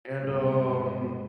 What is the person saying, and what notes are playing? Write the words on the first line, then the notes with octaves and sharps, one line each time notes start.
and, um,
G1 C#2 B2 G#3 B3 C4